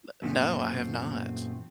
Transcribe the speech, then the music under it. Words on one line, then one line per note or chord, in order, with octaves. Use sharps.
N no, I have not.
F#2 A#2 E3 A3 B3 C4